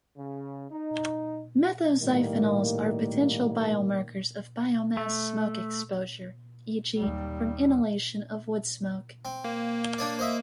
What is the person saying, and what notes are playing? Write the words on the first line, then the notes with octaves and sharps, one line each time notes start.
Methoxyphenols are potential biomarkers of biomass smoke exposure; e.g., from inhalation of woodsmoke.
C#3
D#4
A2 D#3 G3 A#3
A3
D#2 G3
C4
A#3
D4 C#5 D5
C5 D#5 E5